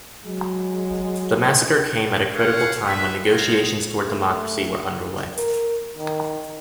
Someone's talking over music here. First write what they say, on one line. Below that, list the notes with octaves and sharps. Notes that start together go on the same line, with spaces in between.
The massacre came at a critical time when negotiations towards democracy were underway.
F#3 G#3
C#5 F5 F#5
B4 E5
D#4 F4 G#4
A3
A#4
D#3